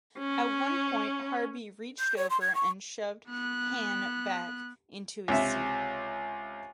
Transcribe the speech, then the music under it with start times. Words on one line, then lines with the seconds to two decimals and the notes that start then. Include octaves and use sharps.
At one point, Harby "reached over" and shoved Hahn back into his seat.
0.18 C#4
1.99 G6
2.17 C#5
2.30 C6
2.41 G#6
2.55 C#6
3.28 B3 F#6
5.28 C#2 C3 E5